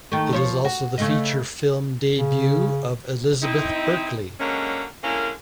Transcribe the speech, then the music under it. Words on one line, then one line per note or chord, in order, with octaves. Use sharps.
It is also the feature film debut of Elizabeth Berkley.
D#3 A3
F3 C#5
F#4
C#3 A3 D#4
C#3
C4 D#4 E4
D3 F#3 G#3 A#3 C#4
D3 G#3 A#3 C#4 E4 A#4